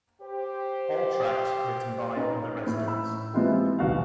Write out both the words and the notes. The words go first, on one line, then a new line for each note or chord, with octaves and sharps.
All tracks written by The Residents.
G4 C5
C#4 D#4 B4
A2
B5 E6
G#3 B3 C4 E4 F4 G4
D#1 B1 F#4 F5